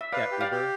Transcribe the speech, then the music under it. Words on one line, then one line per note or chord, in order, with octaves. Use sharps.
Yeah, Uber,
E5
B4 D5 F5
G4
D5 F5
G4